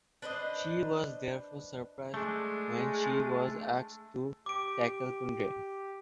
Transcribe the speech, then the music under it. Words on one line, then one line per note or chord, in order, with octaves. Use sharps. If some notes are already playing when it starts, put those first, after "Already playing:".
She was therefore surprised when she was asked to tackle Kundry.
D4 B4 C5 D#5
G#3 A3 D4
G4 D6 D7